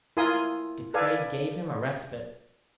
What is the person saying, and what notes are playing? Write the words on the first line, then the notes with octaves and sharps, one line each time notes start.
De Craye gave him a respite.
E4 F4 A#4 G#5 C6 D#6
A4 B4 D5 F5 G#5